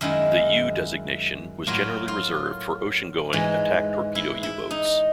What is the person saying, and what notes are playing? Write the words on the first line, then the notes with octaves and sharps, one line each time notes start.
The "U" designation was generally reserved for ocean-going attack torpedo U-boats.
F#2 D#3 G#3 E4
A2 F#3 A#3 F4
F4
G#2 E3 G#3
E4
E4
D#4